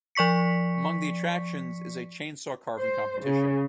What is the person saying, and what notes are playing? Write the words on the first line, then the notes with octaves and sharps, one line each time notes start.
Among the attractions is a chain saw carving competition.
F3 D5 C#6 B6 C#7
C5
C#3